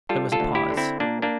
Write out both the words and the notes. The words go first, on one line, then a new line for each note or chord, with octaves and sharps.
There was a pause.
G3 F4 A4
F4 A4
D2
E4 G4
D3
C4 E4
A#2 A#3 D4
A#3 D4